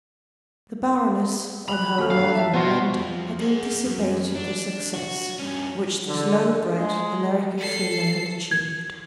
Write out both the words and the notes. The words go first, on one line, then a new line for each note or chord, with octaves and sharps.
The Baroness, on her arrival in London, had anticipated the success which this low-bred American female had achieved.
B5 F#6 F7
D#1 A3 F6
G2 F5
E5 A5
B3 F#4 C5 F#5 C6
F2 F3
G#4 F#5
F#2
D4
F#4
G2 C#4
D3
G#3
A4 C7
G#6